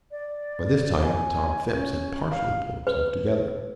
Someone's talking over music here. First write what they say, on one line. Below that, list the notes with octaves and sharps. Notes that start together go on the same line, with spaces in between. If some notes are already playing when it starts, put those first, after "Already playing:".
By this time Tom Phipps had partially pulled himself together.
D5
G#5
C#4
F5
B4